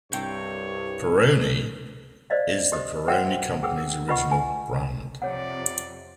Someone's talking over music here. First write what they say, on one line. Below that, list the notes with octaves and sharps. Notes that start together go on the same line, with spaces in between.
"Peroni" is the Peroni company's original brand.
C2 G2 C3 C4 C#5 G5
C5 D5 D#5 F5
G4 C5 D#5 D#6
F#4 C5 E5 F#5 G5
G#4 B4 F#5 G5 D#6 E6
F4 B4 D#5 F#5 C#6
G#5
F2 C3 C#5 D5 F#5